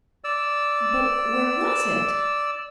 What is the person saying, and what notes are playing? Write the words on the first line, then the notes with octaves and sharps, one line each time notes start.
But where was it?
D5 E6